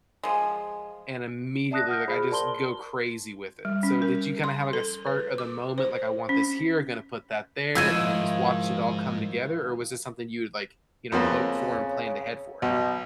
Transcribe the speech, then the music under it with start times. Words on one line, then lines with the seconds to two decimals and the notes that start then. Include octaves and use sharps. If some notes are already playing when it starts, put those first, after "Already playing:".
and immediately, like, I just go crazy with it. So did you kinda have like a spur of the moment, like, "I want this here, I'm gonna put that there," and then just watch it all come together, or was this something you would like, you know, hope for and planned head for?
0.23 F3 G#3
1.71 D5 E5 A5 D#6 F#6 A#6
1.88 F#5 F6 G6
2.08 F4 G#4 C5 B5
2.30 A#4 D5 A5 C6 G7
3.65 G3
3.83 C#4
4.02 A#4
4.44 C6
4.73 A4
5.07 B4
5.38 D6
5.78 C5
6.29 C#4
7.75 G#2 D#3 F3 E4 F4 E6 G#6 D#7
11.12 F2 C#3 A#3 B3
12.62 B1 B2